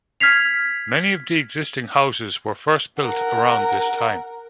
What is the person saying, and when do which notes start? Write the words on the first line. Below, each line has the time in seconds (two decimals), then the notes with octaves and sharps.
Many of the existing houses were first built around this time.
0.20 F6 G#6 B6 C7 F7
3.03 A#4 F#5